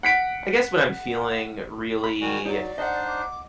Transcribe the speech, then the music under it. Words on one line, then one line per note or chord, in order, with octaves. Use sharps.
I guess when I'm feeling really
F#5 B6 D7
B5
D#3 G3 F#4 G#5
F#3 D#4 D5
D4 D#4 C5 D#5 F#5
D6